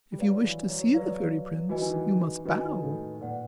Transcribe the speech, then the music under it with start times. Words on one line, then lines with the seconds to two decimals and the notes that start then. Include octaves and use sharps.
If you wish to see the fairy prince you must bow.
0.12 G3
0.19 F#3 B4 D5 F5
0.44 E3
0.69 F#3
0.94 F#3 B4 D5 F5
1.69 E3 F#4 B4 D#5 G#5
1.82 D#3
1.94 E3
2.45 D#3 F#4 B4 D#5 G#5
2.83 A2
3.21 A#2 B4 D5 F#5